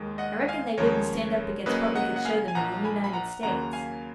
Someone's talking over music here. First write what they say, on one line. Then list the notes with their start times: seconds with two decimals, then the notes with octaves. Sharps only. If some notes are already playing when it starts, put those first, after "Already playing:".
I reckon they wouldn't stand up against what we could show them in the U-nited States.
Already playing: D#2 D#3 G#3
0.18 D#5 F#5
0.48 F5 G#5
0.78 D#2 C#3 F3 G#3 A#4 C#5
1.66 C#2 C#3 F#3 A#3 B4 D#5
1.96 D#5 F#5
2.16 F#5
2.25 F5 G#5
2.48 G#5
2.55 A#1 A#2 F3 F#5 A#5
2.84 G#5 B5
3.04 B5
3.13 F#5 A#5
3.43 D#2 C#3 F#3 A#3 F#5 A#5
3.73 F5 G#5